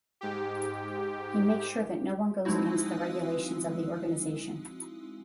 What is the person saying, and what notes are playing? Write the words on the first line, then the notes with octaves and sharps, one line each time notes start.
He makes sure that no one goes against the regulations of the organisation.
G#2 G4
F3 G#3 C4 D#4 E4 F#4